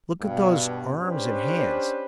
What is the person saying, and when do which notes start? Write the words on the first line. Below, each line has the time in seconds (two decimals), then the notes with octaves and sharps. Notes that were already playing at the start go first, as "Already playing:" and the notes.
Look at those arms and hands!
0.21 G2 B2
1.01 C#4 D4 G4 B4 C5